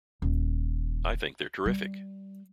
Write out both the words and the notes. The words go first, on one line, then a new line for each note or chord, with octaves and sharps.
I think they're terrific.
D#1
G3